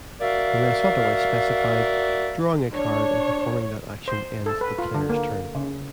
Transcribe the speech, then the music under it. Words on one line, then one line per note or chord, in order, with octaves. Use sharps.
Unless otherwise specified, drawing a card and performing that action ends the player's turn.
F#4 A#4 D5 E5 F5
D4 C#5
C5
A4
B4
F4
D3
A#3
C#3